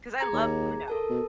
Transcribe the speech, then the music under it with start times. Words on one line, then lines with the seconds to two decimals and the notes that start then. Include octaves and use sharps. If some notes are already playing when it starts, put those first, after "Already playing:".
'cause I love UNO,
0.18 G#4 A#5 G#6
0.33 D#2
0.88 A4 A#4 A5
1.10 B2